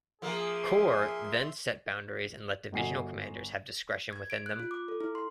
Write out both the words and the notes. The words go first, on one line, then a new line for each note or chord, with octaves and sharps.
Corps then set boundaries and let divisional commanders have discretion within them.
F3 A#3 G#4 A#4 E5 C6
G1 F#4 D#5 G#5 C7
G#6
D7
F#6
F4
D6
A4
E4
C6